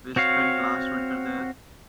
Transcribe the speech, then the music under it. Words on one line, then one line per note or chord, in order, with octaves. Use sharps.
We spent last winter there.
C4 F#4 C#5 F5